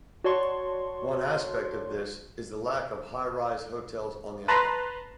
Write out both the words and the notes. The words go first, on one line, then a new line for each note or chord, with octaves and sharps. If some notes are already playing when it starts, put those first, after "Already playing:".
One aspect of this is the lack of "high rise" hotels on the island.
F#4 C#5 D5 A5 C6 C#6
B4 A5 A#5 C6 F#6